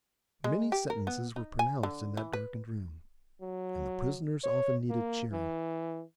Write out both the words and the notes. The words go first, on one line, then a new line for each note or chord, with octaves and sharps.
Many sentences were pronounced in that darkened room, and the prisoners often needed cheering.
G#3
G4
A#4
B3
D#4
G#5
D3
E3
B4
F#3
C#5
A#3
E3